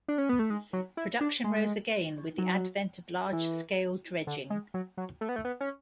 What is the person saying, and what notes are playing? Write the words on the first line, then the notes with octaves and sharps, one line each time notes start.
Production rose again with the advent of large-scale dredging.
D4
C#4
B3
A3
G#3
F#3
E4
D4
G#3
F#3
E3
D3
G#3
F#3
F#3
A3
B3
A3
B3
C#4